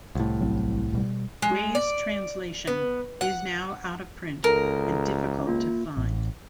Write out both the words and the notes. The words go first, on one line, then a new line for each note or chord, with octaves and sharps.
Wei's translation is now out of print and difficult to find.
C2 A2
A1 F#3 C4
B2 G3
G#3
D5
B3
F#5
C#2 A4 A#4
A#3 F4
A1